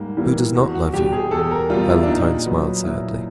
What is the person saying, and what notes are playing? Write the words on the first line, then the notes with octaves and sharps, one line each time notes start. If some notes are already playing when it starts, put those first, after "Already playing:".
"Who does not love you?" Valentine smiled sadly.
Already playing: G#2 G3 A#3
E3 G3 A#3
E2 F#4
F#4
B2 G3 G4
G#4
E2 A4
A#4
B2 G3 F4
E4
D4
A#2 D#4
F#3 B3
A#2 E4